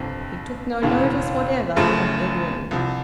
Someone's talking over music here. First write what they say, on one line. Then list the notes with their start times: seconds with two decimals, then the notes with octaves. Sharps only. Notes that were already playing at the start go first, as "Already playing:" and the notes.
He took no notice whatever of Edwin.
Already playing: G1 F2 C3
0.82 E1 D#2 C#3 E3
1.76 F#1 F#2 C#3 F3 A3
2.71 C2 C3 F3